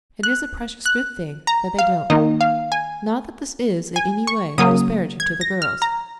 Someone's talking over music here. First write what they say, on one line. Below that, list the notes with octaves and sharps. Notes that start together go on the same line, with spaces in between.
It is a precious good thing that they don't.--Not that this is in any way disparaging to the girls.
F#6
F#6
A#5
F5
D#3 A#3 D#4 D#5
F5
G#5
G#5
C#6
C#3 F#3 A#3 D#6
G#6
A#6
F6
A#5